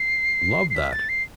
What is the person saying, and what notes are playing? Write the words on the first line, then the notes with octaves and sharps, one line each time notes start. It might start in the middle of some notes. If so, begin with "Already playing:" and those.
Love that.
Already playing: C7
C7
B6
A6
C7